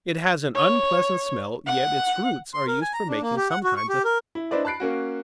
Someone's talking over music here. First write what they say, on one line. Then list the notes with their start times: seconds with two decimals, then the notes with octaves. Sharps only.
It has an unpleasant smell, yet its roots are used for making some kinds of sweets.
0.56 C#5
1.67 F#5
2.54 C6
2.68 A#4
2.82 G#5
2.93 A#5
3.09 D4
3.22 A#3
3.37 G4
3.50 F#5
3.64 F#4
3.77 C#6
3.89 G4
4.05 A#4
4.35 E4
4.51 D4 E4 B4 C5 D5 D#5
4.65 A5 B5 F#6 C7 D7
4.80 A#3 C#4 F#4